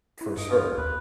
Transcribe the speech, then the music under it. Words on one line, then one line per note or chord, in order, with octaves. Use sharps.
For sure.
E4
G2 D#5
F4
D#2 B4